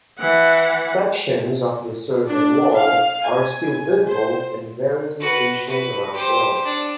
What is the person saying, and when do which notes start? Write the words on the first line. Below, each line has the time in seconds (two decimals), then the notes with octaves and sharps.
Sections of the Servian Wall are still visible in various locations around Rome.
0.19 E3 F#5
2.26 D4
2.72 F5
3.25 G#5
4.06 C5
5.20 F#4 B4
5.67 F#4 B4
6.14 G4 C5
6.65 D4